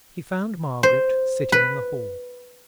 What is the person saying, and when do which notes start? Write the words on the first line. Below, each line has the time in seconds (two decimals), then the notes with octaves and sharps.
He found Margaret sitting in the hall.
0.83 C5
1.52 B4